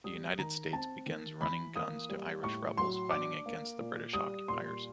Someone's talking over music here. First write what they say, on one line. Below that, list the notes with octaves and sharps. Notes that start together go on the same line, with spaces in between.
The United States begins running guns to Irish rebels fighting against the British occupiers.
G3 D#6
D#3 A#5
C4 A5
D#3
E3 B5
A#3 D#6
G3
A2 C#6
F#3 C6
D4 D6
A#3
A#2
G3 D#6
A#2 C6